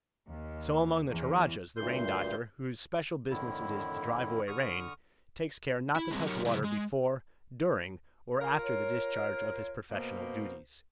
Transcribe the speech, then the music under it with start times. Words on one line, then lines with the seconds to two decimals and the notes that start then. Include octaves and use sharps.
So among the Toradjas the rain-doctor, whose special business it is to drive away rain, takes care not to touch water before, during, or after the discharge of his professional duties.
0.27 D#2
1.08 E2
1.77 D2 G2 A#2 C6 G6
3.30 F2 A2 D3 D#3 E4
4.48 D3 C#6 D#6 F6
5.96 E4
6.11 G3 G#3 C4
6.25 F#3 D#4 G4 A#4 C#5
6.46 C#3 F#3 G#3 E4 G4
6.64 G#3
8.41 F4 A#4
8.63 C#5
9.91 B2 A#3 C5